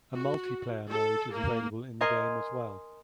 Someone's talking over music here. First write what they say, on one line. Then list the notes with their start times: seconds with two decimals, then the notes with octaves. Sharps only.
A multiplayer mode is available in the game as well.
0.16 F#4
0.90 A4
1.33 A#3
2.01 A#4 D#5 G#5 C6